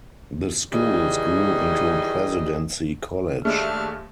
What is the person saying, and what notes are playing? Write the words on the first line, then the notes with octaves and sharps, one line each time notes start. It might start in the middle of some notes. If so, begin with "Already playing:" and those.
The schools grew into Presidency College.
D#3 E3 G3 G#4 D#5
D#2 G#3 A3 D4 E5 F6